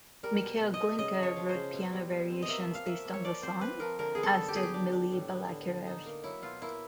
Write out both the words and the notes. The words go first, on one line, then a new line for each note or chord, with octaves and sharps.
Mikhail Glinka wrote piano variations based on the song, as did Mily Balakirev.
G3 A#4
B2
B2
D#5
B2
C#3 D#5
F3
C#5
F3
C5
C#3
B2
G3
B2
C4
D#5
A#3 E5
F3
F5
A#3 E5
A#3
C#5
F3 D5
C4 C5
C4 B4
F3 A#4
D3 A#4
B3 G#4
A4
D3
G4
B3 G#4
G4
D4
D4
A2
B3
D3
D3
D#4
A#3
F#3 E4
B2 F4
A#3 E4